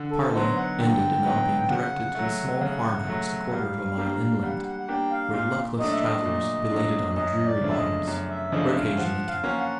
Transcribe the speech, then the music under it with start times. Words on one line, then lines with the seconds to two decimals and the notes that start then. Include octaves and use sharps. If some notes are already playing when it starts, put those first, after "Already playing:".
The parley ended in our being directed to a small farm-house a quarter of a mile inland, where luckless travelers, belated on the dreary bottoms, were occasionally kept.
Already playing: D3
0.11 A4
0.34 F#3 B3 D#4 C5
0.56 F#5
0.79 D3 G5
1.24 F#3 B3 D#4
1.61 G5
1.70 C#3 F#5
2.15 F#3 A3
2.61 C#3 F#5
3.07 F#3 A3
3.52 G3 F5
3.98 A#3 D4 G4
4.43 G3 F#5
4.65 F#5
4.80 F#5
4.88 A#3 D4 G4 G5
5.11 F5
5.33 A#2 F5
5.79 F#3 A3 D4 D#5
5.92 E5
6.02 D#5
6.25 A#2
6.70 F#3 A3 D4
7.15 F#2 D#5
7.46 D5
7.61 C#3 F3 A3 D4
7.70 E5
7.76 D#5
8.07 F#2
8.29 E5
8.52 C#3 F3 A3 D4 D#5
8.75 F5
8.98 F3 F#5
9.28 F5
9.44 A#3 C#4 F#4
9.58 F#5